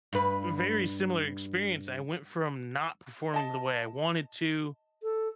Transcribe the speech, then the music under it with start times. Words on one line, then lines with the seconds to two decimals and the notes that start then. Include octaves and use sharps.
very similar experience, I went from not performing the way I wanted to,
0.13 G2 B4
3.34 D#5 A5
5.03 A4